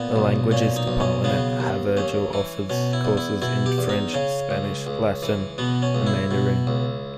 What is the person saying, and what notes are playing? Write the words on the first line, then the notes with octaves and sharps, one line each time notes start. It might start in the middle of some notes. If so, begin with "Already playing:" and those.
The Languages Department at Havergal offers courses in French, Spanish, Latin, and Mandarin.
Already playing: A#2 B3
B1
A#2 C#4
D#4
B1
C#4
C#3 B3
D#2
D#2 C#4
E3
B2 C#4
E4
E2
E4
B2 E4
G4
E2
D#4
C#3 C#4
C#2
C#2
E3
B2 B3
C#4
C#2
E4
B2
C#2